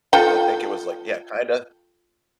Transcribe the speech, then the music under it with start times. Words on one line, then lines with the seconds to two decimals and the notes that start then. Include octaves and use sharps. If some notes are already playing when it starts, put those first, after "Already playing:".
I think it was, like yeah, kinda
0.13 F4 A4 G5